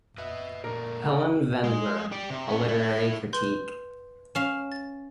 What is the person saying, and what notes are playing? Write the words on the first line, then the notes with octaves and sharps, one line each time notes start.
Helen Vendler, a literary critic.
B4 D#5 E5
A#2 A3 D4 A#4
C#3 F#5
G#3
G4 D5
C3
B3 C#4
E4 A4
B4 C6 G6
C#4 F5 E7
A6